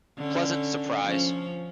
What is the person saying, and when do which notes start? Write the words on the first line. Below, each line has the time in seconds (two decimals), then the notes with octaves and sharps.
Pleasant surprise!
0.18 D3 C#4
1.04 F3 C#4